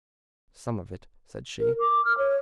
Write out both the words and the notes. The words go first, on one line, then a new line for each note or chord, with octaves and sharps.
"Some of it," said she.
A#4
D6
F6
C#5